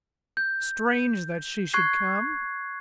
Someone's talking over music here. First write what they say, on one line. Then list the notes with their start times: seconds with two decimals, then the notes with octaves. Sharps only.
Strange that she should come!
0.37 G6
1.74 C#6 F#6 G#6 C7